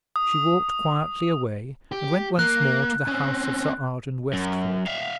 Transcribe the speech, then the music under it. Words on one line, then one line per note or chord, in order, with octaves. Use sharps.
She walked quietly away, and went once more to the house of Sir Arden Westhorpe.
D#6
G4
A#3 F#6
C4 C#4
F#2
E5 F5